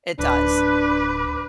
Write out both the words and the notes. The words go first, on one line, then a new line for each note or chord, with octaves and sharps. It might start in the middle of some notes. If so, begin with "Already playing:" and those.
it does.
D1 D4 B4 C5 B5 D6